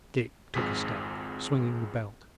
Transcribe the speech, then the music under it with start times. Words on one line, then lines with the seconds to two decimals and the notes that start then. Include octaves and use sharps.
Dick took a step, swinging the belt.
0.54 G#1 F2 G#2 G#4 B6